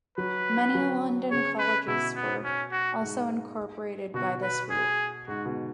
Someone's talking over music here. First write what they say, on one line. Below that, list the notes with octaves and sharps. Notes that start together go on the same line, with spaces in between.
Many London colleges were also incorporated by this route.
F#3 B4
F#3
C#3 C#5
B4
B2 E4
B3
C#4
F#4
G#2
B2 F#4
B4
G#4
G#2 F#4
B2